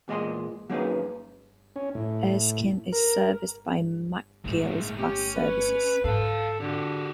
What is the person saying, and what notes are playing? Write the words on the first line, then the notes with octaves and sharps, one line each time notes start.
Erskine is serviced by McGill's Bus Services.
E2 A#2 G#3 D#5 G#5 C6
F#3 A#3 C#4 D#4 G#4 B4
C#4
A2
A#4
G1 A2 G#3 A3
C#4 G4
B4
G#2 A4 F5 A5
D3 F#4 G4